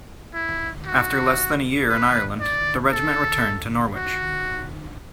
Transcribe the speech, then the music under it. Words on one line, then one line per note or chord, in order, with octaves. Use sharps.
After less than a year in Ireland, the regiment returned to Norwich.
E4
F#4
B4
D5
A4
F#4